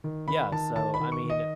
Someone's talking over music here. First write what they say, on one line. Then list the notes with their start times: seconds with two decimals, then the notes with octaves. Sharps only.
Yeah, so, I mean,
0.04 D#3
0.28 D#3 B5
0.52 D#3 A5
0.76 D#3 A5
0.94 B5
1.00 D#3
1.12 C#6
1.24 D#3
1.30 D#5